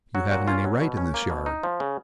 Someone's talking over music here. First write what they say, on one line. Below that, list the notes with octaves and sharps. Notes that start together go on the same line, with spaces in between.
"You haven't any right in this yard."
F#3 F#4
A#2 F#4
C#4 F4
F#3
B2
C#4
A#3
B2
D#4
F3
C#3